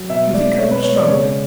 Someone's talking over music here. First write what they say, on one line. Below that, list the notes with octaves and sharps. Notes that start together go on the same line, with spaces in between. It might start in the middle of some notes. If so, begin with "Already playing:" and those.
You think I would struggle?
Already playing: F#3
B2 E5
G#3 D5
B2 C#5
B4
G#3 C#5
D5
C#3 C#5